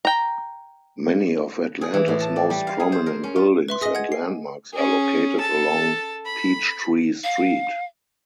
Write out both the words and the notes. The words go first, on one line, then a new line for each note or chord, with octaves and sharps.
Many of Atlanta's most prominent buildings and landmarks are located along Peachtree Street.
G5 A#5
G#4
E3
A2
A5
D5
G3
F5
G#4
C5
A#4
C#4
F4
B4 E5 C6
G#4 D#5 E5 D#6 A#6
F#5 G#6
C7
C#4 G#4
A4 A5
B5
F5